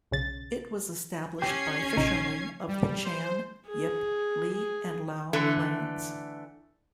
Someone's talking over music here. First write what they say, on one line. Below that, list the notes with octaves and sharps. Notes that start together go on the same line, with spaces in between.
It was established by fishermen of the Chan, Yip, Li and Lau clans.
B1 C#3 A6
C#4 G4 G#6 C7
A#1 C#3 D#4
G3
C5
G#4
G#4
D3 E3 A3